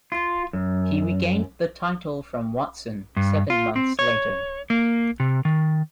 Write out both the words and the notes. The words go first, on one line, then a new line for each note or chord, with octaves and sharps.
He regained the title from Watson seven months later.
F4
F#2
G2
F4
C4
C#5
A#3
C3
D#3